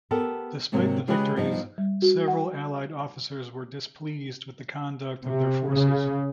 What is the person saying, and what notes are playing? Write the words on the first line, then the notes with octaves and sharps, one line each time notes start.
Despite the victories, several allied officers were displeased with the conduct of their forces.
B3 G4 A4 A#4
G#2 C3 F#3 A#3 C4
C#3 G#3 F4 G4 G#4 B4
G2 F3 B3 D#4
G3
F#4
F#5
C3
C#3